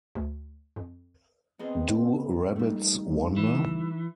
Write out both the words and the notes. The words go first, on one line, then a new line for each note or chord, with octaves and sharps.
Do Rabbits Wonder?
D2
F2
B3 C4 G#4 D#5
G3 A3 D#4
E3